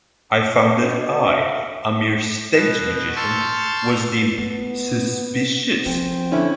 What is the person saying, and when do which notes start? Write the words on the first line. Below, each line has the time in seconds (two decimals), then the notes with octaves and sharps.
I found that I, a mere stage magician, was deemed "suspicious"!
0.79 D4 F#4 B4 D#5
1.26 E5 F5 B6
2.53 B2
3.16 A5 C6 C#6 E6 F6 G6
4.38 A3 B3
5.86 F3 C4
6.31 D3 C#4 E4